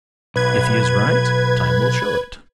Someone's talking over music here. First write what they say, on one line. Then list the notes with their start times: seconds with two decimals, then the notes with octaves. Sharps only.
If he is right, time will show it.
0.36 B1 B4 G#6